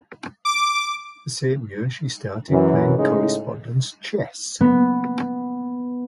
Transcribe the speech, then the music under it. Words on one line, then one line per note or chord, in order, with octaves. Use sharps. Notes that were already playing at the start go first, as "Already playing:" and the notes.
The same year she started playing correspondence chess.
D6
F#2 E3
A2 C#3 G#3 D#4
B3